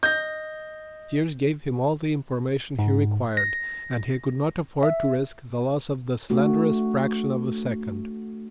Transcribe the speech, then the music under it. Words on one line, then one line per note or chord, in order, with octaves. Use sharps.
His ears gave him all the information he required, and he could not afford to risk the loss of the slenderest fraction of a second.
D#5 G6 A#6
G#2
A#6
E5
A3 D4 F#4